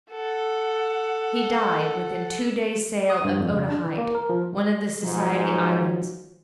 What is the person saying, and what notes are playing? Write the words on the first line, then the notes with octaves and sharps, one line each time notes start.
He died within two days' sail of Otaheite, one of the Society Islands.
A4 F#5
D#6
G2
F2
C#3
D4
E3
A#3
A#4
F3
B1 G#2 F3 F#3